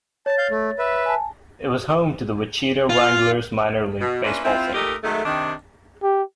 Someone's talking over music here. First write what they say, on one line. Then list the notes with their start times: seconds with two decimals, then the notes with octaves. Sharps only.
It was home to the Wichita Wranglers minor league baseball team.
0.26 C#5 A5 A6
0.38 F5 G6
0.50 A3
0.79 B4 E5
1.06 G#5 A5
2.89 F4
4.01 B2
4.24 A#3 C#4 D4 E4 B4 C5
4.44 C4 E4 F4
4.74 A#2 A3 D#4 G4 A#4 D#5
5.03 D#3 F#3 G#3 A3
5.25 C3 D#3 D4
6.03 G4